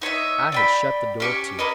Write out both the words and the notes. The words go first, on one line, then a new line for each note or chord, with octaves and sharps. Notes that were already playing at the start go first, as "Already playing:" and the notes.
I had shut the door to.
D#4 C#5 D#5 E5
D5 G5 B5
C#4 G4 C#6
A#4 B4 C#5 D#5